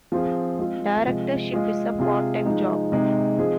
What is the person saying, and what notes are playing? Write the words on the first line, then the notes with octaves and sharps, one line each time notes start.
Directorship is a part-time job.
F3 C4 F4 G#4
G#3 C4 F4
C3 F3 G#3
G#3 F4 G#4
C3 G#3 F4 G#4
F3 G#3 D#4
C3 G#3 D#4 G#4
F3 G#3 C4 G#4